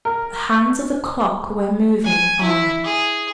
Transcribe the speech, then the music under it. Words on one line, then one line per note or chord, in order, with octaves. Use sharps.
The hands of the clock were moving on.
A#4
G#5
E4
G#4